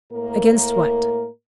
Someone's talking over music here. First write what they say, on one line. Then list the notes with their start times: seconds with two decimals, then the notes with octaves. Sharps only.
"Against what?"
0.12 A2 A#3 A#4